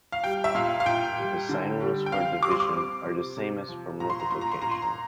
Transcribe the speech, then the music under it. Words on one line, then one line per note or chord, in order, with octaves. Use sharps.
The sign rules for division are the same as for multiplication.
F5
G3 G5
E5
A#2 F5
F5
A#2 G5
G3
D3
G3
G5
C4 F5
G3 D6
C6
D6
C4
C3
C3
F3
A#2 A#5
C6
A#5
A#2 C6
A#5
C6
A#2 A#5
C6
A#5